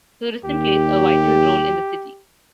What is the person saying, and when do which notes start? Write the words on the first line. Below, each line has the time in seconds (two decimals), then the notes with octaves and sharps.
Tourism plays a vital role in the city.
0.45 D#2 G4